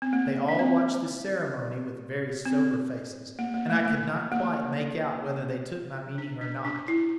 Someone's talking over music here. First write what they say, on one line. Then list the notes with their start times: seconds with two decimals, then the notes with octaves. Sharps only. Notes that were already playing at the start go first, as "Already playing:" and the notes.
They all watched this ceremony with very sober faces, and I could not quite make out whether they took my meaning or not.
0.02 C4
0.13 A#3
0.49 D4
0.59 C4
2.45 C4
3.39 A#3
3.54 A#3
3.70 A3
3.85 A3
4.32 A#3
6.18 D4
6.41 D4
6.65 D4
6.88 E4